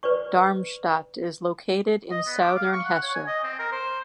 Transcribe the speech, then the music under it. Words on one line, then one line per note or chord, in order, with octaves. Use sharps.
Darmstadt is located in southern Hesse.
B4 C5 D5 C#6
D#5
B3
D6
F5
C#6
F#5
C#5
G#5
D#5
C4
A#4
C5